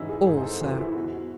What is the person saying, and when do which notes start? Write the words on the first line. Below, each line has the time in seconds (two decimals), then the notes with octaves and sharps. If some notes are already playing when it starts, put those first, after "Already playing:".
"All, sir."
Already playing: G#2 E3 C#4 D#4 E4
0.09 G#4
0.27 G#2 G#4
0.38 C5
0.44 A4
0.61 E3 F#4
0.79 E4
0.95 E2 F#4
1.13 F#4